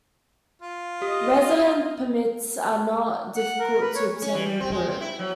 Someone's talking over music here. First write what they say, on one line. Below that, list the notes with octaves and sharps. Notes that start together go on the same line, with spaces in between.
Residence permits are not difficult to obtain in Peru.
F4
G4 D#5
F#5
A#4
B4
C#5
C#4
E3
G3
C4
G#3
C4
E4
F#3